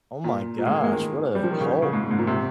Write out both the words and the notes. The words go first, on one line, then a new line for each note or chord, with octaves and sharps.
Oh my gosh, what a hulk.
A#2
A#2
G#3
A#3
G#3
D#3
G3
F3
D#3
C#3
C#3
G#2
G#2
A#2
C3